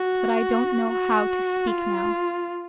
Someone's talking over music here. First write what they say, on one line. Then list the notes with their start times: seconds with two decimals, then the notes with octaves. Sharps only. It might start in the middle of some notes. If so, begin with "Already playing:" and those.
But I don't know how to speak now.
Already playing: F#4
0.90 F#4
1.68 F4